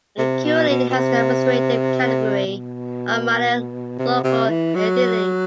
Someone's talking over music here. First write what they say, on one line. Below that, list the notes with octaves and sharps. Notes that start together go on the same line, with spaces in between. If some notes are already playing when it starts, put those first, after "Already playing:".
It currently has the administrative category of Minor Local Entity.
C3
B2
B2
B2
C3
B2
C3
C3
E3
F#3